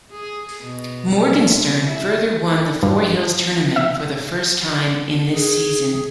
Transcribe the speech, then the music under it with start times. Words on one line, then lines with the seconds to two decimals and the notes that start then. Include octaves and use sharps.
Morgenstern further won the Four Hills Tournament for the first time in this season.
0.12 G#4
0.61 B2
1.35 C3
1.86 E4
2.83 G2
3.76 E5
5.33 G#4